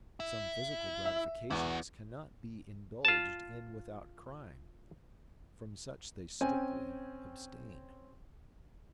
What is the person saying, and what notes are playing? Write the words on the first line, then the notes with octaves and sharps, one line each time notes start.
Some physical gratifications cannot be indulged in without crime; from such they strictly abstain.
E4
E5
E2 E4 F#4
F4 A5
C4 C#4 G5 G#5